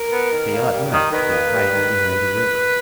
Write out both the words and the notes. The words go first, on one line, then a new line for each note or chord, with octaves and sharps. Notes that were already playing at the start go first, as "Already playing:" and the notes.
They ought not to be hiding behind a river.
Already playing: A#4
B3
D#3
A#3
G3
D#3
D#3 B4
A#3
G3
D#3